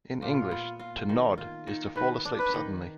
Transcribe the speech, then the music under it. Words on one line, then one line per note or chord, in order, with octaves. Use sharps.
In English, "to nod" is to fall asleep suddenly.
A#2 F4
B3
F4
D#3
F4
D#3
D#3 B4
D4
B4
D#3